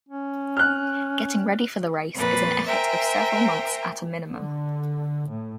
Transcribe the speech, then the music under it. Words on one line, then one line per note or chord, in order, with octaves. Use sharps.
Getting ready for the race is an effort of several months at a minimum.
C#4
F6 F#6
F2 A#2 B4 A6
A#4 C5 E5 G5 G#5 A#5
D3
A2